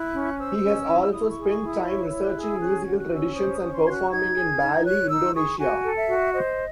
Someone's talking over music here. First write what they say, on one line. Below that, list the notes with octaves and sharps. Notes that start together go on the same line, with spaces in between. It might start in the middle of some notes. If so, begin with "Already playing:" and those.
He has also spent time researching musical traditions and performing in Bali, Indonesia.
Already playing: E4 F#6
C#4
C5 E6
C#4
E4
E4 D#6
C#6
G#4
C#6
E4
D#6
C#5 C#6
E6
E4
F#6
G#4
E6
C#4 F#6
G#6
F#4
F#6
C#4
E6
C5 D#6
D#6
C#4
C6
F#4 G#6
F#6
D#4 G#6
G#4
D#4
C#5 F#6
D#4 E6
G#4 C#6
F#4 G#5
A4
E5
F#4
C5 D#5